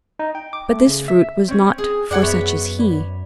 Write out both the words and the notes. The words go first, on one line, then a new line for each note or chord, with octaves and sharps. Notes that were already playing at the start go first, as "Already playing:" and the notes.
But this fruit was not for such as he.
D#4
G5
D6
A3
C#3
E5
C4 C#4
G#4
F#2 D4 G#4 F#5 G#5
B3 C#5 E5
D5 B5